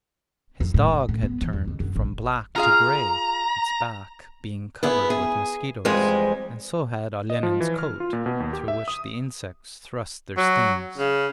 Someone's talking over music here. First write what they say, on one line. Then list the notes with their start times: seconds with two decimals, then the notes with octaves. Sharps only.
His dog had turned from black to grey, its back being covered with mosquitoes, and so had Olenin's coat through which the insects thrust their stings.
0.61 F2
0.74 A2
0.88 C#2
1.09 A2
1.23 B3
1.42 E3
1.53 E2
1.68 F2
1.80 F#2
1.96 A1
2.56 F4 G#4 F5 A#5
4.83 B3 E4 G#4
5.10 G#4 G#5
5.85 F2 E3 G3 G#3 C5 G#5
7.30 D#5
7.43 F3
7.61 E3
7.79 F6
8.00 F4
8.13 A#2
8.26 B2
8.40 D#2
8.53 G4
8.68 E5
8.88 D#6
10.37 F#3
10.98 C#3